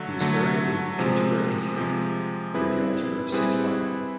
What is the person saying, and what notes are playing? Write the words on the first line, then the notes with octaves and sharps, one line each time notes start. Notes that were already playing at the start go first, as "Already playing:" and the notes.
He was buried in Canterbury Cathedral, near the altar of Saint Martin.
Already playing: D3 F#3 A3
D3 F#3 A3
C3 F3 G#3
C3 F3 G#3
G3 C4 E4 G#4 B4
G3 C4 E4 G#4 B4